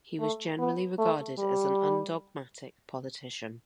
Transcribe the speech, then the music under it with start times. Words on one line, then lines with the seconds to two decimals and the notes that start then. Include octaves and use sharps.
He was generally regarded as an undogmatic politician.
0.19 A3
0.59 B3
0.98 A3
1.38 G3